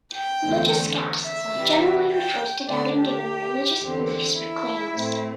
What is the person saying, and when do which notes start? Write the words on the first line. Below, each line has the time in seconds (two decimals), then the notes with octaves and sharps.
Religious skepticism generally refers to doubting given religious beliefs or claims.
0.14 G5
0.43 E2 D3 A3 C4
1.27 E5
1.55 C3 E3 G3
2.11 G5
2.68 D3 A3 D4 D5
2.97 G4
3.81 E2 D3 C4
4.38 E4
4.95 A2 A3 C4